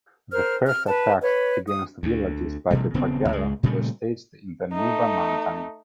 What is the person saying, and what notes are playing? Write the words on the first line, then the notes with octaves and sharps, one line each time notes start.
The first attacks against villages by the Baggara were staged in the Nuba Mountains.
A#4 C5 F6
F6
B4 A5
B4 C#5
D#6
D2
A1 B2 G3
D#1 C#3 B3 C4
C#2 G#3
A#2 C#3 G3 A3
A3 D#4